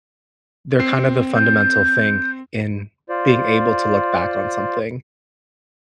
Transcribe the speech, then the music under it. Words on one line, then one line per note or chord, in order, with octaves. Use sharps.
they're kind of the fundamental thing in being able to look back on something.
C4 C7
G6
F4 C5 D5